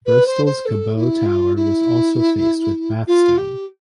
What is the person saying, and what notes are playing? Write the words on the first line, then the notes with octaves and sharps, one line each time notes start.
Bristol's Cabot Tower was also faced with Bath Stone.
B4
C5
C5
A4
E4
F4
E4
F4
G4